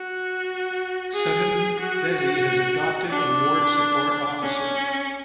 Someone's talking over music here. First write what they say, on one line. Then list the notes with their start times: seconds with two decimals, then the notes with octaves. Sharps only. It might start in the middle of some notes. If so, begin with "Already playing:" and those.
Sutton Vesey has adopted a Ward Support Officer.
Already playing: F#4
1.14 G#4
1.79 F#4
3.10 D4
4.43 C#4